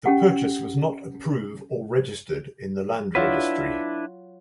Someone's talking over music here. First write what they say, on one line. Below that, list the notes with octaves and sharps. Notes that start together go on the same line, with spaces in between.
The purchase was not approved or registered in the land registry.
C#4 G4 F#5
F#3 D4 E4 F4 B4